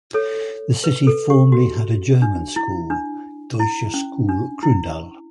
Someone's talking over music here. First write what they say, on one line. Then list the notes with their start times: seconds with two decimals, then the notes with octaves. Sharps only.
The city formerly had a German school, Deutsche Schule Kroondal.
0.14 A4 C#5
0.84 B4
1.07 A4
1.30 G4
1.52 F#4
2.22 D4
2.56 E4
2.90 D4
3.60 E4
3.94 C#4
4.29 D4
4.63 E4